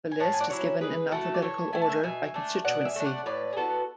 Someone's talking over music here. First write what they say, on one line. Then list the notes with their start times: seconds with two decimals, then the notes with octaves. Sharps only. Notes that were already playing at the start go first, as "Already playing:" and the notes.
The list is given in alphabetical order by constituency.
0.12 G#5
0.20 A2 F#5 A5
0.33 G#5
0.40 D5 F#5
0.50 F#3 C#4 E4
0.81 E3 G#4 B4
1.12 A3 E4 F#4 A4
1.34 D5
1.42 E3 A4 C#5
1.73 A3 E4 G#5
1.82 A5
1.89 E5 G#5
2.03 B2 E5 G#5
2.34 A3 D4
2.65 B2 D5 F#5
2.85 E5 G#5
2.96 A3 D4
3.05 D5 F#5
3.26 A2 B4 D5
3.53 G#4
3.57 E3 B3 F#4 A4